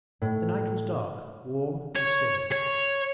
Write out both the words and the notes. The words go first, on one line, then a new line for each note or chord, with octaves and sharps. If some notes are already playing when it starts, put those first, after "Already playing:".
The night was dark, warm, and still.
A2
C#5
C#5